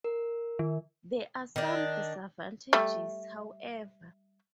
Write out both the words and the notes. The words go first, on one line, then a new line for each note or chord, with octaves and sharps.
There are some disadvantages, however.
A#4
D#3
D#3 D4
G3 A3